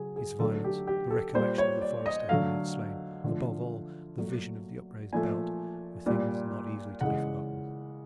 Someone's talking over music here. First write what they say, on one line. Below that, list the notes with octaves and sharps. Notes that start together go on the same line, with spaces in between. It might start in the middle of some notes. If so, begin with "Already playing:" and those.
His violence, the recollection of the forester whom he had slain--above all, the vision of the upraised belt, were things not easily to be forgotten.
Already playing: C#3 F#3 G#4
G#4
D3 F#3 A3 A4
G4
G4
A4
A#2 G3 C5
C#5
D5
D#5
D3 F#3 A3 F5
D3 F3 A3
A#2 F#3 A3
A#2 F3 A3 G#5
A#2 G3
C#3 E3 G#3 F#5